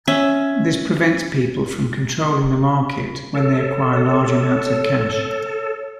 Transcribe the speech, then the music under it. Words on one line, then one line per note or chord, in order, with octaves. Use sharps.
This prevents people from controlling the market when they acquire large amounts of cash.
C#4 E5
A4 C#5